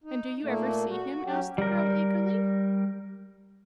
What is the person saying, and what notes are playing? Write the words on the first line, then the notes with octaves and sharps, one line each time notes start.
"And do you ever see him?" asked the girl, eagerly.
D#4
A#2 A3 A#3
F#4
F#3 C#4 G4
G3 A#4